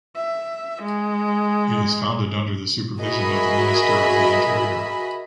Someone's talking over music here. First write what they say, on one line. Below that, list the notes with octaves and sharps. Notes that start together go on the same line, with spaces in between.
It is founded under the supervision of the minister of the interior.
E5
G#3
F#4 G#4 A#4 D#5 E5 B5